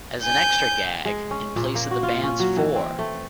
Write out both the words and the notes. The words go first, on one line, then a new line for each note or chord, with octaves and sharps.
As an extra gag, in place of the band's Fore!
G#5 G6
G#3
C#4
A#2
A#3
F#4
F4
C#4
F#3
E3
C4
A3